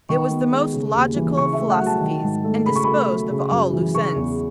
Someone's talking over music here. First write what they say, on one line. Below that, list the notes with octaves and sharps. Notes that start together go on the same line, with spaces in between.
It was the most logical of philosophies and disposed of all loose ends.
D#3 C#6
B3
G#3
C#3
D#2
E3
C#3 C#6
E5
A3
F#5
F#3
A5
D#3
G#2
A3
C#3 B5
C#6
A3 B5
F#3
C#3
F#2
E3
C#3 C#6
E2